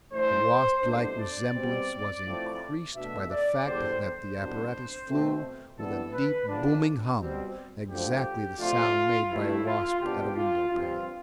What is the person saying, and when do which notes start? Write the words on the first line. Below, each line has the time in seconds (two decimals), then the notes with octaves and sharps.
The wasp-like resemblance was increased by the fact that the apparatus flew with a deep booming hum, exactly the sound made by a wasp at a windowpane.
0.12 A2 E3 A3 D4 C5
0.82 C2 B2 A3 D4 C5
1.18 D5
1.53 B2 G3 C4
2.24 A2 F3 A3 C4
2.94 B2 A3 D4 E5
3.30 D5
3.65 E2 D3 G3 D4 C5
4.00 C5
4.36 C2 B2 B3 D4
5.06 B2 A3 C4
5.76 F2 E3 G3 B3 D4 A4
6.11 B4
6.47 E2 D3 F3 B3 D4
7.18 B2 G3 C4
7.88 D2 D3 F3 G4
8.58 C3 F3 A3 D4 F4
9.29 G2 E3 A3 E4
9.65 F4
10.00 C2 B2 G3 B3 D4 G4
10.35 F4
10.71 G2 F3 C4 F4